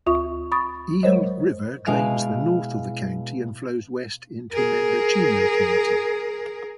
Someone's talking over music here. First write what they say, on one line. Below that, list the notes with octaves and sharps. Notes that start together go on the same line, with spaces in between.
Eel River drains the north of the county and flows west into Mendocino County.
D2 F4 E5 C#6
B5 C#6 D#6 A6
F#3 G#3 A#4 C5 C#5 D#5
B2 G#3 E4 F5 D7
G#4 A#4